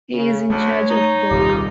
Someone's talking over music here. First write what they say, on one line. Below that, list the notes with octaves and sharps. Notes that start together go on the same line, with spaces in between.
He is in charge of "boke".
C#3
D2 A3 C#5
D#4
D#1 C2 A#2 F4 G4